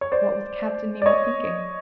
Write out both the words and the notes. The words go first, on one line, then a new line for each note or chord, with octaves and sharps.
What was Captain Nemo thinking?
C#5
C5 D5
D5
C#5 D#5